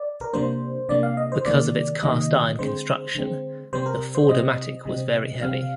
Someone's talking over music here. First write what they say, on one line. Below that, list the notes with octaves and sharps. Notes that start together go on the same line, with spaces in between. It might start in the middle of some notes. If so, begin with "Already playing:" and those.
Because of its cast iron construction, the Ford-O-Matic was very heavy.
Already playing: D5
A#4
C3 G3 A#3 D4 C5
C3 G3 A#3 D4 D5
F5
D#5
C5
C3 D#3 G3 A#3 D5
C3 D#3 G3 A#3 D#5
D3 G#3 C4 C5
D3 G#3 C4
C3 G3 C4 C5
A#4
C5
C3 G3 C4 D#5
C3 G3 C4
C3 G3 C4 F5